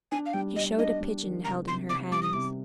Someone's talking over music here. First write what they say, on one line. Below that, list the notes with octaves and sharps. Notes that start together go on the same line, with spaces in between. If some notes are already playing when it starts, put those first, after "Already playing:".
She showed a pigeon held in her hands.
D4 G#5
F5
G3 G5
G3 D#5
D4 D#5
G3
D#3
C3 A#5
C3 C6
C3 D6
G3 D6
D#6
C3 D6